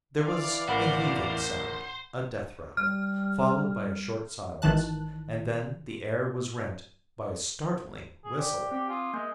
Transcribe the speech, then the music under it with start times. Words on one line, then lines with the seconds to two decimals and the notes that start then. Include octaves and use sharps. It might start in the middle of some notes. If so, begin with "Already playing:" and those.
There was a heaving sound, a death-rattle, followed by a short silence; and then the air was rent by a startling whistle.
0.17 E3 D5 F5
0.68 A1 A#4 C5 F#5 B5
2.77 G3 F6
4.62 G#1 D#3 E3 A5 F#6
8.24 G#4
8.38 G4 C5 D5
8.71 C4 G4 D6
8.89 F4 G#5 D#6
9.14 G#3 A#3 G#5 G6